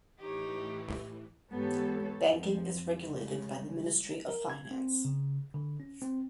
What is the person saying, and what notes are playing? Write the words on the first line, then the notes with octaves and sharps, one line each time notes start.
Banking is regulated by the Ministry of Finance.
A2 E3 D#4 G4 C#5
G#2 E3 B3 G4 A4 C#5
F2 F3
C#3 G3 G#3
A#4
G#6
C4
C#3
D3
C#4
C4